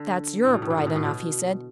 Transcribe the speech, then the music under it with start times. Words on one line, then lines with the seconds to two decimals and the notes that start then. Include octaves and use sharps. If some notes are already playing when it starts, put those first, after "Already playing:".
"That's Europe, right enough," he said.
Already playing: D3
0.45 A2
0.54 B2
0.62 A2
0.70 B2
0.78 A2
0.87 B2
0.96 A2
1.05 B2